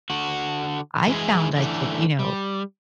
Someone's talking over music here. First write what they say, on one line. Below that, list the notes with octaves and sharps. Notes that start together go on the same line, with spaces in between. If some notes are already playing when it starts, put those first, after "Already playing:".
I found, like like, you know,
D3 F#4
E3 G#3 D4 E4 G#4
D3 E3 A3
G3